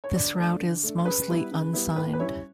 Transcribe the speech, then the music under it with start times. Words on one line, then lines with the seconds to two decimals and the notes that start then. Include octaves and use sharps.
This route is mostly unsigned.
0.04 C#5
0.15 D3 D5
0.38 A3 D4
0.60 D3
0.83 A3 D4
1.05 C#3 B4
1.28 G3 B3 E4
1.51 C#3
1.73 G3 B3 E4
1.96 A2 B4
2.13 B4
2.20 G3 C#4 E4 C#5